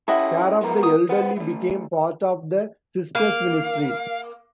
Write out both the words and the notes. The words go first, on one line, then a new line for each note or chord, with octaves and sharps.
Care of the elderly became part of the sisters' ministries.
C#4 E4 G4 A4 D#5 F#5
G#3 B3 A#4
D#6
B4 C5 F#5
E3 A3
A#3 F5